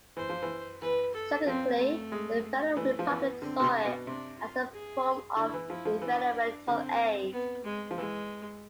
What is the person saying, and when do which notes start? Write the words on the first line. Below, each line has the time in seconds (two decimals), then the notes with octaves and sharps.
Secondly, the Federal Republic saw it as a form of developmental aid.
0.17 E3 C5
0.30 F3
0.42 E3
0.81 E3 B4
1.14 A4
1.47 F3 C4
1.79 A3
2.12 G#3
2.77 E3 A3
2.99 F3
3.09 E3 B3
3.42 D3 C4
3.60 B2
3.64 C3
3.75 D4
3.85 B2
4.07 C3 D4
4.39 F4
4.72 G#4
5.37 D3 E4
5.54 E3
5.70 F3 E4
5.85 F3
6.02 E3 D4
6.67 D3 C4
7.32 B3
7.64 G#3
7.91 F3
7.98 E3 G#3